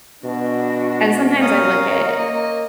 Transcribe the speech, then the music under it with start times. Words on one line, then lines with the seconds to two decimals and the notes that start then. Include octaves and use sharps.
And sometimes I look at
0.25 B2 D4 F#4
1.41 C#4 A#4 C#5 F5 D#6
2.17 A#3 D#5